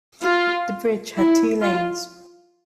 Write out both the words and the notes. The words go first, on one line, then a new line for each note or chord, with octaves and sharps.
The bridge had two lanes.
F4
E4
F4